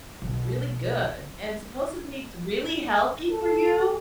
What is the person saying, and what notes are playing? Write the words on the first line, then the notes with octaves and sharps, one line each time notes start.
really good and supposedly it's really healthy for you.
B1
A4